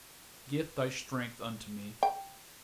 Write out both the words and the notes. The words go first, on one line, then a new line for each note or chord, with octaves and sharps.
Gift thy strength unto me.
G5